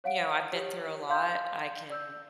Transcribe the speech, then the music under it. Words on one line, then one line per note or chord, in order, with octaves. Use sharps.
You know, I've been through a lot. I can
C#5 F5 F#5 D7
G4 C#5
F5 C6 G6
D5 E6 G6